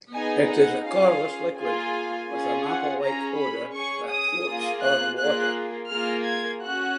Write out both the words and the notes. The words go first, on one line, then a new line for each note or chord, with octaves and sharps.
It is a colorless liquid with an apple-like odor, that floats on water.
B3 D#4 G#4 G#5
F#5
C#4 F4 G#4 F5
A#3 F4 G#4 G#5
C#4 F4 G#4
F#5
C#4 G#4 A#5
B5
C#4 G#4 C#6
D#6
A#3 F4 G#4
F#6
A#3 F4 G#4 F#6
A#3 F4 G#4 F6
G#6
C#4 F#4 F#6